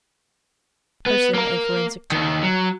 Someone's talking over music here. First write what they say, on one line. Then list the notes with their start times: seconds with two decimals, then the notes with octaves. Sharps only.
Person a forensic Term.
1.06 B3
1.34 A#3 A#4
2.12 D#2 D#3
2.43 F#3